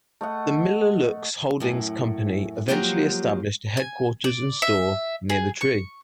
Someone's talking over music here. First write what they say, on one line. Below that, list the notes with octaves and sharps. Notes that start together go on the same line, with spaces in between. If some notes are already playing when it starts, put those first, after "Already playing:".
The Miller-Lux holdings company eventually established a headquarters and store near the tree.
A3 D#5 F#5
F#2 A2
F3 F#3 G#3 A#3 G4
G#5
D5
E5
G#4
C#6